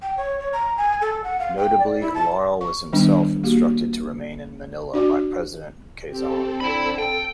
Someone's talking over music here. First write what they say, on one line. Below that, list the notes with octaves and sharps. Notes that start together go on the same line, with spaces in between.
Notably, Laurel was himself instructed to remain in Manila by President Quezon.
G5
C#5
C#5
A#5
G#5
A4
F#5
F5
G5
D5
E4
A5
C#6
D#3 G3 B3 D4
A#3 F#4 G4
D4 F#4 D5
C4 G4 A4
D3 E4 B5
A4 G5